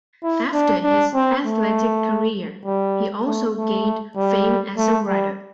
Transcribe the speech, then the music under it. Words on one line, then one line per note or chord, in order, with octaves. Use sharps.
After his athletic career, he also gained fame as a writer.
E4
D4
D4
C4
A3
G3
A3
A3
G3
A3
G3